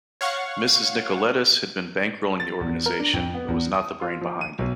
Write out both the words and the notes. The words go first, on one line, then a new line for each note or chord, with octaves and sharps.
Mrs Nicoletis had been bankrolling the organisation, but was not the brain behind it.
C#5 F5 F#5 C#6
A6
E2
A#4
D4
F2
B3
E2
D#6
F4
F3
D#7
B1